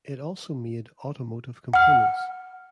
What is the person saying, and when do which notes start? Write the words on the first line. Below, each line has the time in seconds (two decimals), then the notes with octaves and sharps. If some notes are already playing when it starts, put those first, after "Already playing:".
It also made automotive components.
1.73 F#5 F6